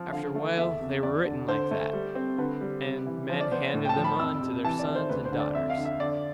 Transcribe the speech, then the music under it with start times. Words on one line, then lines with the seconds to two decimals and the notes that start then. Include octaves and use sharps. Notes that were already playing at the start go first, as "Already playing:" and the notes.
After a while they were written like that, and men handed them on to their sons and daughters.
Already playing: F3
0.12 D3 F5
0.35 A3
0.58 E2 E5
0.80 C3
1.03 E2 D5
1.25 D3
1.48 D3 C5
1.71 A3
1.93 G3
2.15 C4
2.38 D3 B4
2.61 G3
2.84 C3
3.06 E3
3.29 F3 C5
3.40 D5
3.52 B3 C5
3.74 A2
3.85 G5
3.89 A5
3.97 F3
4.04 B5
4.20 F2 E6
4.42 C3
4.64 E3 A5
4.79 D5
4.87 A3
4.95 C5
5.09 D2 B4
5.25 C5
5.32 D3
5.40 D5
5.55 F2 E5
5.70 F5
5.78 D3
5.85 E5
6.00 D3 D5